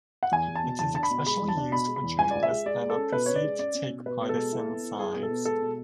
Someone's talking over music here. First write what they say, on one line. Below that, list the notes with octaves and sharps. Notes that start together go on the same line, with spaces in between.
It is especially used for journalists that are perceived to take partisan sides.
F#5
E2 G#5
E2
A5
B2
E2 A5
D4 A5
B5
B2
G#3 B5
E2
A5
D4
B2 B5
G#3
B5
E2
C#2 G#5
C#2 D5
E5
G#3
G#3 D5
G#3
A4
C#4
B2 B4
C#4 C#5
D5
G#3
C#4 D5
C#4
B2
B2 B4
B2
A4
G#3
E4
B3
E4
E4 G#4
B2
A4
B3
G#3 A4
B2